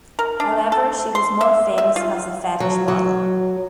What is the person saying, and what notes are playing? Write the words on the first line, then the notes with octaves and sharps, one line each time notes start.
However, she was more famous as a fetish model.
A#4
D4
A4
C6
E5
E5
F4
F#3
F#3